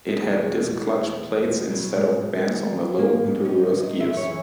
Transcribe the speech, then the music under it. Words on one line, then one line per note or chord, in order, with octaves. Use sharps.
It had disc clutch plates instead of bands on the low and reverse gears.
G#3
E2
F#3
B2 G#3
B2
E2
E2
B2 G#3
B2 F#3
G#2 G#3
G#2
D#3
D#3
G#2 A#3
G#2
C#4
D#3 D#4
D#3
D#5
F#2 E5
C#5
E3